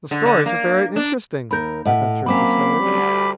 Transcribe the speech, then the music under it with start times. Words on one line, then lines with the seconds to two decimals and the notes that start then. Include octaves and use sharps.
"The stories are very interesting," I ventured to say.
0.11 D3
0.26 D3
0.46 A#3
0.96 D4
1.51 D#2 A#4 B5 G6
1.85 A2 D#5 E5 F#5
2.26 F#3 A#3 C4 C#4 B5 D6 B6
2.81 D2 G3